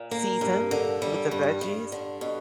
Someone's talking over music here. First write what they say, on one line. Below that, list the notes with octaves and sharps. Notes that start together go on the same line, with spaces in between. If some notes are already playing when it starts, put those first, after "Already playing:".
seasoned with the veggies.
Already playing: A#2
A#3
G2
D3
G3
G2
G2
D3
B2